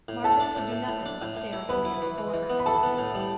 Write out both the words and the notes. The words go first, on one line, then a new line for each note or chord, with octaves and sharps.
Margaret could do nothing but stare at the man before her.
A2
A2 A4 A5
D4
A2
A2
A2
D4
A2
A2
E4
B3 B4 B5
E4
E3
E3
E3
B3
B5
E3 A4 A5
B3
A2
G3